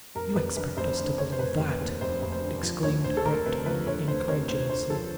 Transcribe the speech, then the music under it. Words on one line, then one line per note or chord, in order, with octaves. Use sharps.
"You expect us to believe that?" exclaimed Breton incredulously.
F1 A#4
F1 B4
D3 B4
F1 C5
D3 C5
F1 C#5
C5
F1 B4
F1
B4
D#2
F1 C5
F1
C5
D3
F3
D2 C#5
D2 C5
A4
D2 A#4
C3 B4
F3 B4
D2 C#5
D2 C5
C3 C#5
D2 C5
D2 C5
F3 A4